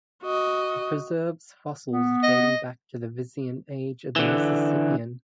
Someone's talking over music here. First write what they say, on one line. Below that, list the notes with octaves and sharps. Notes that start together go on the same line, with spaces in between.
It preserves fossils dating back to the Visean Age of the Mississippian.
F#4 D#5
B3
D#5
D3 E3